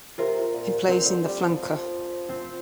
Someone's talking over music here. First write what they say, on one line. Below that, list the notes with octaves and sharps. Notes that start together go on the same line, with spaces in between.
He plays in the flanker.
C3 F4 A#4
A#2
A#2 C4
D3
G3
F3
C4 F4